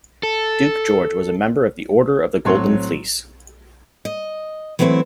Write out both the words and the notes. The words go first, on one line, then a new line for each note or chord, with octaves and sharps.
Duke George was a member of the Order of the Golden Fleece.
A4
A2 F#3 C4 C#5 C6
D#5
E3 F#3 A3 C4 E4